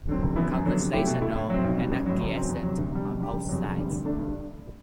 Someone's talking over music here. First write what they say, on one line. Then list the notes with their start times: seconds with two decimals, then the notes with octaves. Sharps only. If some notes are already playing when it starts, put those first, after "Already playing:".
Conversational and acquiescent on both sides.
0.08 D3 F#3 C4
0.22 F#1
0.36 F#2 E3 B3 E4
0.51 F#2
0.65 D3 F#3 B3
0.80 C3
0.93 F#3 A3 E4 G4
1.07 B2
1.21 A3 E4
1.36 A2
1.50 F#3 C4
1.64 B1
1.78 B2 G3
1.92 A1
2.06 A2 F#3
2.21 F#1
2.35 F#2 F#3 C4
2.49 E2
2.63 C3 F#3
2.78 D2
2.92 C3 G3
3.06 B2
3.20 G3 D4 G4
3.34 F#1
3.49 E2 C3 F#3
3.63 E1
3.77 D2 C3 G3
3.90 D2
4.05 D3 A3 D4
4.19 G2